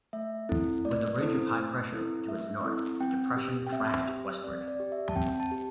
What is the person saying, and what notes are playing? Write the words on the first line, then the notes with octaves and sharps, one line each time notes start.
With a ridge of high pressure to its north, the depression tracked westward.
A3 E5
C4 E4 A4
A3 D5
C4 E4 A4 C5
A3
C4 E4 A4
A3 E5
C4 E4 A4
C4 G5
G4
G5
C4 E5
G4
C4 D5
D5
G4
E5
A5
C4 G5
A5
G4